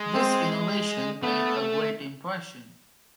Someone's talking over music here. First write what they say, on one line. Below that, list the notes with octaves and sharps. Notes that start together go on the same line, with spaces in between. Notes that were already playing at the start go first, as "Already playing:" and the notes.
This innovation made a great impression.
Already playing: G#3
C4
A3 B3